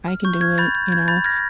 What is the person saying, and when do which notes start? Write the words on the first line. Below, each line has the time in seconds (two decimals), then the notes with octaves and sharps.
"I can do it," you know?
0.08 F6
0.25 C#6 G6
0.41 F6 G#6
0.58 B5 G6 A6
0.75 G6
0.92 G6 G#6
1.08 B5 G6 A6
1.24 F6 G#6 A#6